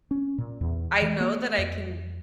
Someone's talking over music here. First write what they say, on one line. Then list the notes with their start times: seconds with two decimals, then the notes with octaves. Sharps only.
I know that I can
0.11 C#4
0.38 A#2
0.61 E2
1.02 E3
1.20 A#3
1.58 F2